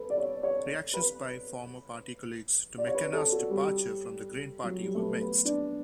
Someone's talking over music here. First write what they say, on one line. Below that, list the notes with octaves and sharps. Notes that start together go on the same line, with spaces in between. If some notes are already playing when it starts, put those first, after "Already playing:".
Reactions by former party colleagues to McKenna's departure from the Green Party were mixed.
Already playing: A4 B4
D5
C#5
C#5
B4
D5
C#5
B4
A4
F#4
G3
F#3
G3
A3
B3
B3
D4